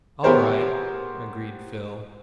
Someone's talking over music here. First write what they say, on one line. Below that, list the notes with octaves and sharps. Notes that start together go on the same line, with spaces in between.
"All right," agreed Phil.
B3 G4 G#4 A#4 C5 C#5